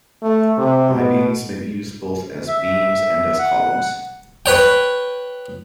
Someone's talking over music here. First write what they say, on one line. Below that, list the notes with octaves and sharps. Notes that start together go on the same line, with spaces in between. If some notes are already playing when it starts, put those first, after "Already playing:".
I-beams may be used both as beams and as columns.
A3
C3
B2
E5
F#5
B4 C#5 G5